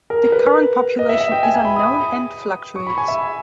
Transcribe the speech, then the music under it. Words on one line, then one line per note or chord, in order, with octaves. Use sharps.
The current population is unknown, and fluctuates.
A#4
B4
D#5
E5
E5
G5
G#5
G#5
B5
D#6
C#6
B5
G#5
E5